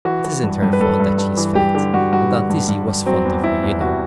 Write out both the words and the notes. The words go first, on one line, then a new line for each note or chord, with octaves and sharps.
It isn't her fault that she's fat. And Aunt Izzie was fond of her, you know.
E3 F#4
E3
G2
G2
B4
G2 A4
G2
G2
E3
G2 G4
D3 G4
G2 F#4
G2 F#4
D3
G2
G2
G2
F#3 C4
E2
E2 E4
E2
C3 F#4